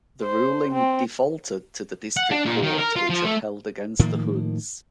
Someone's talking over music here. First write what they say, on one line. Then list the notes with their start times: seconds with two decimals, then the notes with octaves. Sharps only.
The ruling defaulted to the District Court, which had held against the Hoods.
0.22 C5
0.72 C4
2.17 F#5
2.31 D4
2.46 A#2
2.62 D#3
2.78 A#4
2.96 F4
3.10 F3
3.24 A3
3.99 A2 D#3 F3 A#3